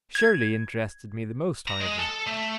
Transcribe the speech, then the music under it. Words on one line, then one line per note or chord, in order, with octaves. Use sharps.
Shirley interested me the most, however.
G#6
A#5
G#3
A4
A3